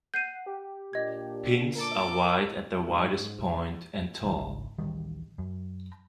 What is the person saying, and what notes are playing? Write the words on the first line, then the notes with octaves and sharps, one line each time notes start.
Pins are wide at their widest point and tall.
F#5 G6 C7 D#7
G4
A#2 D4 D#5 G#6
A4 A#4 D6
G#2
A1 D#3 G3
G#1 C#2
D1 A1 D#3 G3
F#2